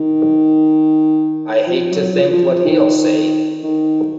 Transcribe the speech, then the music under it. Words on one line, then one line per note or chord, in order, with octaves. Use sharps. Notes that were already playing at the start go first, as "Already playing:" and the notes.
I hate to think what he'll say!
Already playing: D#3
F3
F#3
F3
F3
F3
D#3
D#3